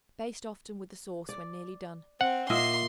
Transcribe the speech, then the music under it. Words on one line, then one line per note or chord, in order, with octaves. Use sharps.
Baste often with the sauce when nearly done.
D5
C4 F#5
A#2 D#5 E5 C6 C7